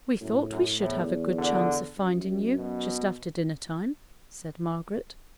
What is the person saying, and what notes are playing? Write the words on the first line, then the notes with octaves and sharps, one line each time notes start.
'We thought we should have a good chance of finding you, just after dinner-time,' said Margaret.
F#2 A2
F#2
E2 A2
D3
F#2
B2